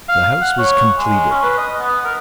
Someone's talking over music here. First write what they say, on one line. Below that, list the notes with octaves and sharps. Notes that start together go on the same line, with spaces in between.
The house was completed.
F5
F#5
C#5
G#3
C#4
B4
D#5
B3
A#4